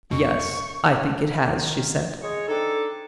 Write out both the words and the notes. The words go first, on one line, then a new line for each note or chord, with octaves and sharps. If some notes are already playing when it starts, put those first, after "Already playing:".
"Yes, I think it has," she said.
F2 B2 C#6
D#3
G#3 G#4 C#5
C4 D4 D#4 A4